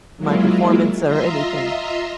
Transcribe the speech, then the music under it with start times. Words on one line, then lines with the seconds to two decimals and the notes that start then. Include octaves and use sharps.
my performance or anything.
0.17 F#3 G#3 A#3 E4 F4
1.04 F4 D#5 E5 A#5 C6